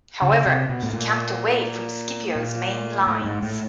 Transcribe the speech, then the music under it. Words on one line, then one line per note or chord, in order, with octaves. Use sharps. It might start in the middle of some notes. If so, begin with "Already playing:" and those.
However, he camped away from Scipio's main lines.
C#3
C3
B2
A2
A#2
A#2
A2
G#2
A2